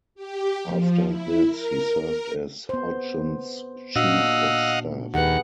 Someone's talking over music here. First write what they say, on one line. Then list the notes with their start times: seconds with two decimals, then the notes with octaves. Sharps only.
After this, he served as Hodgson's chief of staff.
0.15 G4
0.64 F3
1.04 E4
1.47 A#4
2.02 A#4
2.69 B3 C5
3.96 A#2 D4 F#4 D#5 F5 F#5 E6
5.14 D#2 G4 G#4 B4 F#5